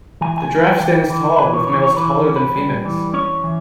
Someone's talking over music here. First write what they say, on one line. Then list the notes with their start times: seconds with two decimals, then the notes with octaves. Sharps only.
The giraffe stands tall, with males taller than females.
0.21 E3 G#5
0.38 G#5
0.50 E3
0.80 E3 G5
1.10 E3
1.38 E3 B4
1.54 C#5
1.67 E3 C#5
1.82 C#5
1.97 E3 B4
2.26 C#4
2.36 B4
2.56 G3
2.85 E3
3.14 C#4 C#5
3.44 E3